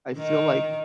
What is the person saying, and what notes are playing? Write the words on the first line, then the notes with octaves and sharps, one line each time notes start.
I feel like
D#3